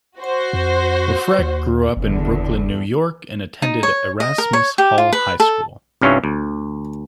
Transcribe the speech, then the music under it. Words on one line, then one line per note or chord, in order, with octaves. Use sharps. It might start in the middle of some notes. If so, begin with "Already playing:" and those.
LeFrak grew up in Brooklyn, New York, and attended Erasmus Hall High School.
F#4 C5
F2
D#2
F#1 E2 D3
D#4
C#5
D#5
A#4
C#5
G4
F4
B4
A4
C2 G2 C#4 F4 C#5 E5
D2